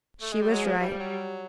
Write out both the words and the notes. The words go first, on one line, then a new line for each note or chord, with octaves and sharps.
She was right.
A3
G#3
G3
F#3 G#3
F3
E3 G3
F3
F#3